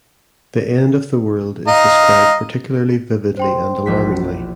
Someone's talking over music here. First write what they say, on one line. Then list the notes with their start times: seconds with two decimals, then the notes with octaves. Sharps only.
The end of the world is described particularly vividly and alarmingly.
1.67 D#5 F5 A#5
3.37 C5 G5 C6
3.86 E1 A#1 B6